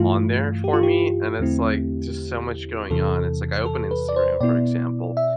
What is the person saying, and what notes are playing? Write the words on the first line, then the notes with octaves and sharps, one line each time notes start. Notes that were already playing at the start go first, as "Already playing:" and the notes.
on there for me and it's like just so much going on and it's like I open Instagram for example,
Already playing: G2 E3 A3 E4 F4
G4
F4
G4
E2 D3 A3 C4 E4
E2 C3 E3 A4
A4
B4
D5
C5
B2 B3 E4 D5
E5